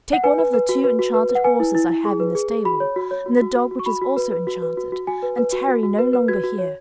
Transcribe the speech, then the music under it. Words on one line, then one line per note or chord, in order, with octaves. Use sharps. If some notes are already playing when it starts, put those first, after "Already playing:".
Take one of the two enchanted horses I have in the stable, and the dog which is also enchanted, and tarry no longer here.
F#5
B4 G#5
B4
B4
F#4
B4
F#4
B4
B4
F#5
B4 G#5
E4
E4
E4
G#4
B4
G#4
G#4
F#4 B5
C#5
F#4
C#5
F#4
F#4
F#4
F#4
C#6
F#4 B5
F#4
B4
B4
F#4
B4
F#4
F#4
F#4 G#5
B4
B4
F#4
F#4
F#4
B4
B4
F#4 G#6
F#4
C#5